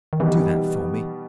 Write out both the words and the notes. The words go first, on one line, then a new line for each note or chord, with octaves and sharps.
Do that for me.
D#3
B2 E3 G3 B3 D#4